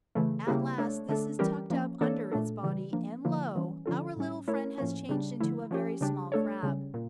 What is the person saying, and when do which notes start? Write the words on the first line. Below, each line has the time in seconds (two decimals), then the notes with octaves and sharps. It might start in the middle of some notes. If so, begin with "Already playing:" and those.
At last this is tucked up under its body, and lo! our little friend has changed into a very small Crab.
0.15 C#3 E3 A3
0.47 C#3 G3 A#3 E4 G4
0.78 A3 D4 A4 C#5
1.09 D3 A3 D4 A4
1.39 E3 G3 C#4 G4 A#4
1.70 F3 A#3 C#4
2.01 E3 A#3 D4 A4 C#5
2.32 A#2 A3 D4 A4
2.63 C#3 E3 G3
2.93 F3 A#3 D4
3.25 D3 F3 A#3 E4
3.55 E3 G3 C#4
3.86 D3 F3 C#4 F4 A4
4.16 A2 G3 C#4
4.48 A3 E4 A#4 C#5
4.78 A2 F3 A#3 C#4
5.09 C#3 G3 D4
5.40 D3 F3 A3 E4
5.71 F3 C#4 G4
6.01 C#3 G3 D4 G4
6.32 A3 D4 A4 C#5
6.63 C#3 G3 C#4
6.94 A#2